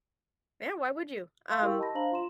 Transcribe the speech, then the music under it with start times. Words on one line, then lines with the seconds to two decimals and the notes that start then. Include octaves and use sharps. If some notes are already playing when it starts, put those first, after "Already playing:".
yeah, why would you? Um,
1.50 F5 C6 G6
1.62 E4 G4 A#4 G5 C#6 E6
1.79 D#5 A5 B5 A#6
1.95 D4 C5 F5 A#5 F#7
2.12 F4 C6 E7